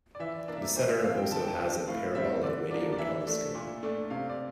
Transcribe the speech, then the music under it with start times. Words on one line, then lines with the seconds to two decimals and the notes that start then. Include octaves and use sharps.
The centre also has a parabolic radio telescope.
0.15 D5
0.20 E3 E5
0.34 D5
0.48 A#3 D4 D5
0.57 E5
0.62 D5
0.76 A#2 C5
0.89 E5
1.03 F3 C4 F5
1.17 G5
1.31 D3 A5
1.39 G5
1.47 A5
1.59 F3 C4
1.87 A2 F5
2.15 G3 C4 E5
2.43 D3 D5
2.71 F3 A#3 D4 D5
2.92 D5
2.98 E3 E5
3.27 A3 D4
3.55 A#2
3.83 A3 D4
4.10 C3 F5
4.29 D5